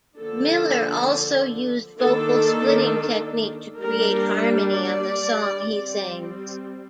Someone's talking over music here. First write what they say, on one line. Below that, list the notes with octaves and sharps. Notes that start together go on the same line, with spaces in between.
Miller also used vocal splitting technique to create harmony on the song he sings.
D3 F3 A#3 D4 A4
D#3 A#3 D4 A4
G3 A#3 D4 A#4
D5
G3 C4